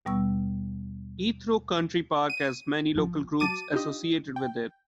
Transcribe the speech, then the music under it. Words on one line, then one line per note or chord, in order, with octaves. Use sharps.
Etherow Country Park has many local groups associated with it.
D#2 B2 G3 B3 C#6 E6
D#7
G#1 F3
F#3 A5 D6 D#7
D4 D#4 F4 G4 D#5
G5